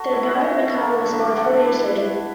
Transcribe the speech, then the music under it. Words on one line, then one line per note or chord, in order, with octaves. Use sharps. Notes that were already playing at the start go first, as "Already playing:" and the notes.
Their daughter Michal was born four years later.
Already playing: F#4 A4
E4
E4 F#4
E4
D3 A4
D3
E5
D5
D4 F#5
E5
D5
E4 B4